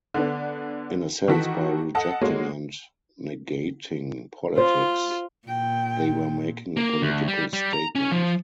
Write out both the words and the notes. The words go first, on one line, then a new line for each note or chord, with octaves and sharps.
In a sense by rejecting and negating politics, they were making a political statement.
D3 B3 D4
D#3 E3 F#4 A4 B6
A4 D#5 F#5 A5
D3 G#3 A#3 F#4 C#5
F4 C5
A#2 G5
A#3
D2
G3
G3
A#5
C#4
F3